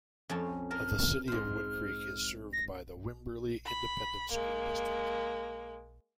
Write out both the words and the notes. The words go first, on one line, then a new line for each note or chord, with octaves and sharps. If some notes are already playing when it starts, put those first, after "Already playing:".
The City of Woodcreek is served by the Wimberley Independent School District.
F2 C#4 A5
A#4 A5 F6
G#2 C5 F6
A#6
B5
G#3 A#3